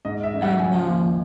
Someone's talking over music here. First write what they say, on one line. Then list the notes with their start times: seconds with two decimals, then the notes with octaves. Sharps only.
I know.
0.05 G#2 D#5
0.23 E5
0.33 A1
0.42 F#5
0.59 C#3 G#5
0.87 D#2